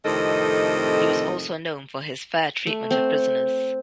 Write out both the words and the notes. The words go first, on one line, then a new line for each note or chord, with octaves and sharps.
He was also known for his fair treatment of prisoners.
F2 A2 C3 D#3 A4 D#5
A3
C4